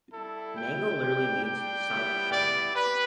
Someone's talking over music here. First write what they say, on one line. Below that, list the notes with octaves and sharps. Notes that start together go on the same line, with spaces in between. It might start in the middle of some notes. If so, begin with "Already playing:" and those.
Nango literally means "south shire".
G3 E4 G4 A4
G5
G3 D4 G4
G5
G3 B3 E4
D5
G4 B4